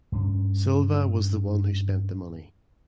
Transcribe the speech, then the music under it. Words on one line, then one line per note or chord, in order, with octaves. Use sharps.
Silva was the one who spent the money.
G2 C#4